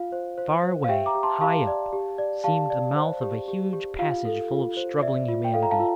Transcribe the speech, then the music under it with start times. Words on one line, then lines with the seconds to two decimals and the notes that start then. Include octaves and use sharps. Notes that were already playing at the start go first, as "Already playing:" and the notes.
Far away, high up, seemed the mouth of a huge passage full of struggling humanity.
Already playing: F4 F5
0.12 C5
0.38 C5
0.63 C5
0.84 F5
0.89 G4 E5 G5
1.06 A#5 D6
1.15 G4
1.23 A5 C6
1.41 G4 F5 A5
1.67 D5
1.93 G4
2.18 D5
2.44 G4 F5 A5
2.70 D5
2.96 C5
3.21 G4
3.48 G4
3.73 G4
3.99 F4 F5
4.25 A4
4.51 F4
4.77 C5
5.02 D5 E5
5.28 F4
5.44 G5
5.54 A4 F5
5.63 A#5
5.71 F5 A5
5.80 F4